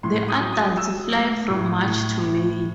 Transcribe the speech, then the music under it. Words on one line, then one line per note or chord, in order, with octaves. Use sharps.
The adults fly from March to May.
A2 C6
D#6
F#3
D#6
F#3 E6
A3
A2
A2
A2